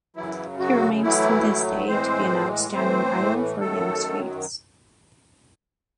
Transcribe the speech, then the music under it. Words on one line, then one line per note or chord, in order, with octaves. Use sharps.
He remains to this day to be an outstanding idol for young swedes.
F#2 C#3 E3 F#3 E4
F#3 F#4
A2 E3 F#3 A3 E4
A2 E3 G#3 C4 C5
A2 E3 A3 C4 C5
F#2 D#3 F#3 A3 A4